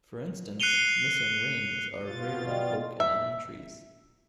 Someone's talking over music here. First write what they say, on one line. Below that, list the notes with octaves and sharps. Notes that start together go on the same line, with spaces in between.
For instance, missing rings are rare in oak and elm trees.
F#6 C7 C#7 D#7 F7 G7
B2 F4 A6
D5 D#5 G5
E5